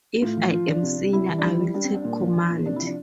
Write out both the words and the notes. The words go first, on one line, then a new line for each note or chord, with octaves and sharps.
If I am senior, I will take command.
A2 F4
F3
F3 F4
F3 D4
C3
C3
G3 E4
E3
D4
G3 E4
G3
G3 D4
C4
G3
D4
A#2
F3
F3
A#2
C3 D4
E4
F3
D4